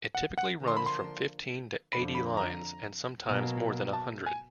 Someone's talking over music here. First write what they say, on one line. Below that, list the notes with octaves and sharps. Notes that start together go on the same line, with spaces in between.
It typically runs from fifteen to eighty lines, and sometimes more than a hundred.
F#5
F#5
D3 F3 A#3 D4
C6
B5
C6
F2 D3 F3 B5
B5
A#5
B2 F#3 A#3
A5
G#5